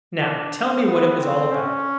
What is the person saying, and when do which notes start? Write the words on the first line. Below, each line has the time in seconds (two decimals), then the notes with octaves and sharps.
"Now tell me what it was all about."
0.19 D4
0.85 B3
1.19 C4
1.52 C#4